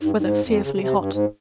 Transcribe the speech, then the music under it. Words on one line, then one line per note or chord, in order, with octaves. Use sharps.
Weather fearfully hot.
G2 D#4
G2
G#2 D#4
F2
C#3
C#3
C3
F2
G2
G#2